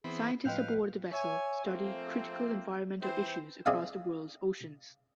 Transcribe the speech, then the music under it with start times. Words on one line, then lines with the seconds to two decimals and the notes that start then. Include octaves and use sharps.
Scientists aboard the vessel study critical environmental issues across the world's oceans.
0.04 E3 B3 C4 G#4
0.45 A2 F3 B4 D#5 F5 G5 G6
1.12 C#5 E5 G#5
1.65 F3 A3 A#3 C4
3.01 E3 C4 C5
3.66 C4 G#4 D5 E5 F5